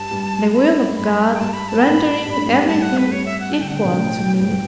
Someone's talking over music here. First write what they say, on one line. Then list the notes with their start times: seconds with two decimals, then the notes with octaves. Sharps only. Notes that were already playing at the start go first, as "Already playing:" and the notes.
The will of God rendering everything equal to me.
Already playing: G2 G3 A5
0.11 G2 G3
0.54 B5
0.88 A3
0.96 G2 G3 B5
1.34 G5
1.39 G2 G3 A5
1.53 B5
1.68 A5
1.82 A2 A3 B5
2.25 G2 G3
2.36 A2 A3
2.46 G2 G3
2.57 G2 G3
2.68 A2 A3 A5
2.82 F#5
2.97 B4
3.06 A3
3.11 G2 G3 C#5
3.25 E5
3.40 F#5
3.53 A5
3.60 D3 G5
3.68 F#5
3.73 C#3 G5
3.84 B2
3.97 A1 A2
4.33 A2
4.39 G2 G5